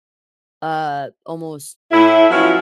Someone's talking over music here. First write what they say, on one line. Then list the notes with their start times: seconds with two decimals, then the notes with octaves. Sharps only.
uh, almost,
1.92 A2 E4
2.30 F3 F#3 B3 C#4 E4 F4